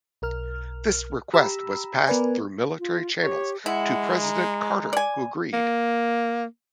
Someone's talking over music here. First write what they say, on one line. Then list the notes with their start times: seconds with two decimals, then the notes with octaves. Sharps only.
This request was passed through military channels to President Carter, who agreed.
0.22 B1 A#4 F6
1.34 G4 A#5 B5 E6
2.07 B3 A#4 B4 D5 G#5
2.79 F4
3.23 G4 C#5
3.66 G#3 E4 F#5
4.22 A#5
4.93 D5 G#5
5.53 A#3